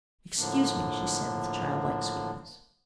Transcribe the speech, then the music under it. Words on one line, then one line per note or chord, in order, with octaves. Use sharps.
"Excuse me," she said, with childlike sweetness.
A2 D3 F3 A#3 D4